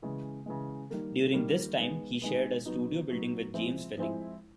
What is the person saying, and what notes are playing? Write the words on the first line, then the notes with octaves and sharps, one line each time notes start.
During this time, he shared a studio building with James Welling.
C#3 E3 G#3
C#3 E3 G#3
D#3 G3 A#3
D#3 G3 A#3
D#3 G#3 B3
D#3 G#3 B3
F#3 B3 D#4
F#3 B3 D#4
F3 G#3 C4 E4
F3 G#3 C4 E4